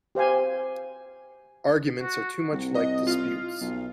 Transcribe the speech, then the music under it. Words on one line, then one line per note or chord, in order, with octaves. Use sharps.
Arguments are too much like disputes.
G4 C5 F5 G#5
F#4
C2
D#5
F4
B1